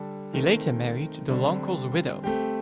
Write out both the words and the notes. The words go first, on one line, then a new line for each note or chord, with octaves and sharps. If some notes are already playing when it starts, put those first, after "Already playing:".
He later married Deloncle's widow.
Already playing: D3 G3 D4 A4
D#3 A3 C4
D3 G3 C4
A3 C4 G4